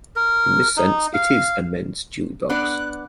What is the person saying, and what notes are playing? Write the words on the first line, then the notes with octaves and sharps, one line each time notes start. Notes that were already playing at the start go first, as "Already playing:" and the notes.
In this sense, it is a men's jewelry box.
A#4
D#4
F5
B3 D4 D5 F#6